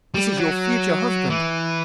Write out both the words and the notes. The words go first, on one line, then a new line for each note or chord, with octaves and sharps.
'This is your future husband.
G3
F#3
E3